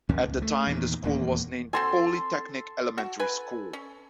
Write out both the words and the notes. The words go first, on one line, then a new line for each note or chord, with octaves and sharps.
At the time, the school was named Polytechnic Elementary School.
D#2 C#4
C#2
A3
E2 A#2 D#3
D#1 E2 A#3
C4 F#4 A4 G#5 C6
F#4
B4 G#5
C#4